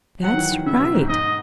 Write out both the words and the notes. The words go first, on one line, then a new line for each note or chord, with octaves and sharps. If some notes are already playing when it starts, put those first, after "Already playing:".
"That's right!"
F#3 F#5
D#3
E3
D#3
C#3 E5
B2
G#2
G#2 D#5